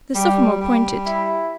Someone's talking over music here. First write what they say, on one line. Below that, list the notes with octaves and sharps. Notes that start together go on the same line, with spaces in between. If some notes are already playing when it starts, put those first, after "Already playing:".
The sophomore pointed.
G3
G3
E4